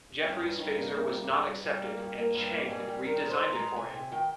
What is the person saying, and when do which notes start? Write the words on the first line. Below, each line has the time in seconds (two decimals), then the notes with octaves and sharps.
Jefferies' phaser was not accepted, and Chang redesigned it for him.
0.24 G2 C#4
0.41 G2
0.59 G2 D#4
0.76 A#3
0.94 A#3
1.12 G3
1.29 G2
1.46 G2
1.65 G3
1.82 A#3
1.99 G2
2.18 A#3
2.35 G2 G4
2.53 A#3
2.70 G3 G#4
2.88 G3
3.06 D#3 A#4
3.24 G#3
3.30 C5
3.41 D#3
3.53 A#5
3.59 G#3
3.76 C3 G#5
3.94 C3
4.12 D#3 G5